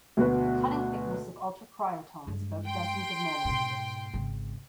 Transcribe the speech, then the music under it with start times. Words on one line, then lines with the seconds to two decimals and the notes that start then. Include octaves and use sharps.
The cutting thickness of ultracryotome is about dozens of nanometers.
0.17 D2 B2 F#4 B4
2.27 G2 G#3
2.67 G5 C6
3.45 G#2 B2
4.14 G#1 C#3